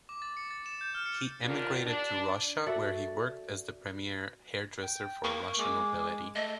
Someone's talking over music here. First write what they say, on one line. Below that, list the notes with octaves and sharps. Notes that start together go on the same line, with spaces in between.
He emigrated to Russia, where he worked as the premier hairdresser for Russian nobility.
D6
A6
C#7
A6
E7
G6
F6
C#7
D#2 D3 D4 F4 G4 A#4
D4
F#4 A4 D5 E5
G5
A#3 C#6
G#3 D6
A3 D#5